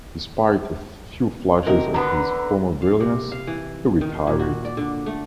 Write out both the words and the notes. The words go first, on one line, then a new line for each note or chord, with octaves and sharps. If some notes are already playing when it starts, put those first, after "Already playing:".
Despite a few flashes of his former brilliance, he retired.
C3 F#3 D#4 A#4
D3 B3 A#5 B5
F5
C3
F5
E3
D#3
A#2
F#4
D5
D3
A3